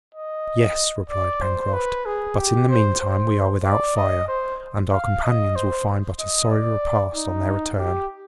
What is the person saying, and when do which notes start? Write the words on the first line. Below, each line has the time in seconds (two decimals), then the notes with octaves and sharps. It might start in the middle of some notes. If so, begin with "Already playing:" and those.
"Yes," replied Pencroft; "but in the meantime we are without fire, and our companions will find but a sorry repast on their return."
0.15 D#5
1.10 D5
1.42 C5
1.74 B4
2.06 G#4
2.38 G4
2.69 C5
3.01 C5
3.64 D5
3.97 D#5
4.28 C5
4.92 F5
5.24 D#5
5.56 C5
6.19 D#5
6.51 D5
7.15 D#4
7.78 G4